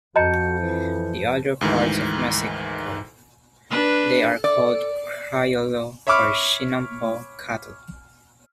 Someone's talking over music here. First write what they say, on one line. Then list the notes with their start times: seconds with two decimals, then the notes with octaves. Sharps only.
In other parts of Mexico, they are called "Criollo" or "Chinampo" cattle.
0.16 F2 F#4 C5 D#5 A5 A#5 G6 C#7
0.60 E3
1.61 D2 G#2 D#3 E3
3.70 D4 B4
4.44 D5
6.07 C#5 E5 B5 C#6 D6 F6